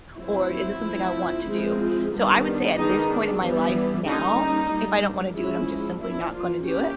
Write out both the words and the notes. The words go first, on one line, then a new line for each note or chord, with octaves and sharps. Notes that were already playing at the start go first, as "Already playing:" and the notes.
Or "Is this something I want to do?" So, I would say at this point in my life now, if I don't wanna do it, I'm just simply not gonna do it,
F#3 A3 C4 E4
F3 A3 C4
F3 G#3 C4
D#3 G3 B3 D4
D#3 G#3 B3 D4 D#4
D4
E3 G3 B3 D4
D3 G3 A#3 C#4 D#4
G3 A#3 D4
F3 G#3 C#4 E4
F3 A#3 D4 E4
F4
A#3 C#4 G4